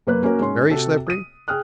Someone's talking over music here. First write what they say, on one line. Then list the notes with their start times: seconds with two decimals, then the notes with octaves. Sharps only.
"Very slippery?"
0.07 F#2 A#3 B4 F#6
0.23 A#3 C#4 F#4 A#4
0.39 G#2 C#4 C6
0.70 C3 F#4 G4 A4
1.07 D#6 D#7
1.48 G#4 G5 D#6 F6 F#6